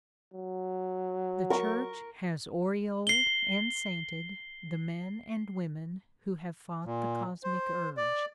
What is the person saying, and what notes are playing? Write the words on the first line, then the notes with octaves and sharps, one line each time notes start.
The church has aureoled and sainted the men and women who have fought the Cosmic Urge.
F#3
A#4 C#6
C7 G7
A#2
C5
D5